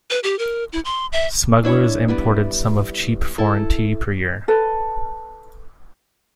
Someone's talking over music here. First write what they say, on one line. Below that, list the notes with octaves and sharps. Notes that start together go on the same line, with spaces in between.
Smugglers imported some of cheap foreign tea per year.
B4
G4
A#4
E4
C6
E5
D4 E4 C#5
G3 B3 E4
E4 A4
A4 B4